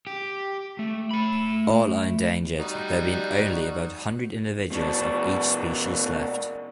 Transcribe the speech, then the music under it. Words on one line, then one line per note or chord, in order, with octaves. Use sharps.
All are endangered, there being only about hundred individuals of each species left.
G4
A3
A3 B5
G3 D#4 F#4
B2 D4